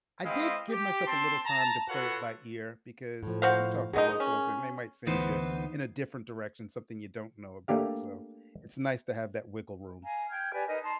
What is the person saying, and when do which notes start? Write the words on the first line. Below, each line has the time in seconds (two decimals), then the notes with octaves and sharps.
I did give myself a little time to play it by ear because you talk to locals, and they might send ya in a different direction, something you don't know about, so, it's nice to have that wiggle room.
0.25 G#3 B3 C4 E4 D#5 F5
0.70 G4
1.07 C4 A5 C6
1.46 A5 A#5
1.89 F4 F#4 A4 B4 C#5 F#5
3.23 A2 F3
3.42 F#4 C5 F5
3.93 F#3 G#3 D#4 G#4 A#4 D#5
4.20 C#4
5.07 D2 E3 B3 D#4 C5
7.68 A3 A#3 D4 G4 F5
10.04 F5 G#5 A#5
10.30 G5 F6 G6 G#6
10.53 G4 B4 D5 G#5
10.68 D#4 A#4 B4 D#5
10.82 A5 A#5 C6